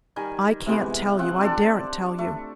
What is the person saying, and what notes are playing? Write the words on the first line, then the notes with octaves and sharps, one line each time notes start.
"I can't tell you--I daren't tell you."
D#3 G3 G#5
C3 E3 G#3 B3
C4 F4 F#5
D4 G4 A4 D5
A3